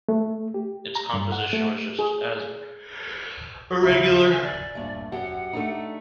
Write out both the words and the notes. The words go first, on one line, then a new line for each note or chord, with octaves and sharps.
Its composition was just as irregular.
A3
G4
A#5
G2
F#5
A3
G#4
C#3 E4 E5 A#5
G#5
D5 G#5
G2 A#2 A3
F#2 G4 F#5
A3 D4 D#4